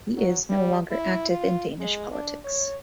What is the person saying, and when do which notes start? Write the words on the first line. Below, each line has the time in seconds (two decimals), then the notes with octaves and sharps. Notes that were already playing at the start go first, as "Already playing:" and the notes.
He is no longer active in Danish politics.
0.17 F#3
0.49 G3
0.90 E4
1.30 F4
1.80 G#3
2.12 D4
2.45 C#5